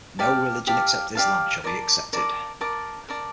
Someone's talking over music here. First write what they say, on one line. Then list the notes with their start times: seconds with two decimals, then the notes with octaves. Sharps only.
No religion except Islam shall be accepted.
0.19 G4 D5 F5 A5
0.67 G4 D5 F5 A5
1.15 G4 D5 F5 A5
1.64 A#4 D5 A5 D6
2.13 A#4 D5 A5 D6
2.61 A#4 D5 A5 D6
3.09 A#4 D5 A5 D6